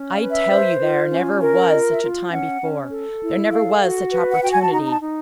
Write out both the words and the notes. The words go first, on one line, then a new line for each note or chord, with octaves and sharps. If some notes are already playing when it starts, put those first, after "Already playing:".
I tell you there never was such a time before; there never was such opportunity.
Already playing: C#4
F5
B4
E5
C5
F4
C#4
A#4
F4 D#5
E5
F4
C#4 F#5
C#4
A4
E4
A4 F5
F#4
B4
F#5
F#4 G5
G#5
A5
D#4 A#5
A#5
A5
D#4